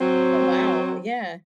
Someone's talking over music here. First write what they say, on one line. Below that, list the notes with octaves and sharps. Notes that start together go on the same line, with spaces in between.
Oh, wow. Yeah.
F#3 C4